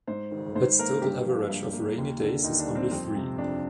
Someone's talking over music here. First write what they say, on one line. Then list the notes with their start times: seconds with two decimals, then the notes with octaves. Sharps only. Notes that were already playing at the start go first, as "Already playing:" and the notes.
Its total average of rainy days is only three.
0.07 G#2 C5
0.32 D#3
0.55 G#2 C5
0.79 A#3 A#4
1.02 G2 G4
1.26 F3
1.49 G2
1.73 A#3
1.98 D#2
2.20 D3
2.44 D#2 D#4
2.60 D4
2.68 G3
2.75 C4
2.91 F2 C4
3.15 C3
3.38 F2 D4